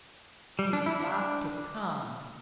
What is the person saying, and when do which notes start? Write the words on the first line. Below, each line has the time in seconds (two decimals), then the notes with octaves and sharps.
"He's got to come!"
0.59 G3
0.73 D4
0.86 E4
1.00 D4